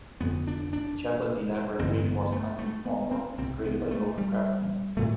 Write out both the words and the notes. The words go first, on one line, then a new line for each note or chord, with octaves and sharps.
The Chapel's elaborate reinforced concrete formwork was created by local craftsmen.
F1 F2 D3 B3
D4
D4
A1 G2 D3 C4
B3
C4
B3
A3
A3
B3
C4
C2 C3 C4
B3
A3
G3
A2 A3